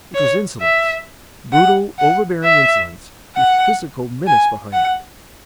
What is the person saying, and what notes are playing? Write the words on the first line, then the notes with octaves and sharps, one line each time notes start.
It was insolence--brutal, overbearing insolence, with physical menace behind it.
C#5
E5
F#5
F#5
E5
F#5
G#5
F#5